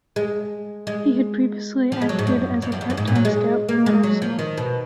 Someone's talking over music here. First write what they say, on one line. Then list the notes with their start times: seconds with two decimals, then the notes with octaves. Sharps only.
He had previously acted as a part-time scout for Arsenal.
0.16 G#3
0.87 G#3
1.92 F3
2.02 G#3
2.09 F#3
2.19 G#2
2.27 F#2
2.62 F2
2.72 F#2
2.81 F2
2.90 F#2
2.97 G#2
3.07 A#2
3.15 F#3
3.25 G#3
3.69 A#3
3.86 G#3
4.03 F#3
4.22 F3
4.39 D#3
4.57 B2